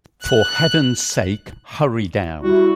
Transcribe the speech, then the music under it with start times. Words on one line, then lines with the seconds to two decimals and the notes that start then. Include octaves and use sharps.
For heaven’s sake, hurry down!
0.24 F#6
2.42 G3 E4 F#4